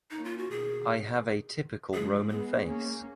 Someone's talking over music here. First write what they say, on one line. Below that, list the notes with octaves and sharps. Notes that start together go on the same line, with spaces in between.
I have a typical Roman face.
A#3 C#4 D#4
F4
F#4
B2 D#3 G#4
F3 G#3 G#4
G#3 B3 G#4
A#3 C#4